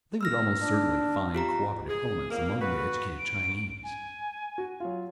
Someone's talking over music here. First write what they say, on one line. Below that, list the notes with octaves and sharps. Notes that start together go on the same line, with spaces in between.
They would almost certainly find co-operative elements among the educated Chinese....
E6 F6 A#6
D4
F4 G4 A#5
G#4
F2 A#3
F#4 B4
D7
G#5
F#4
F#3 F4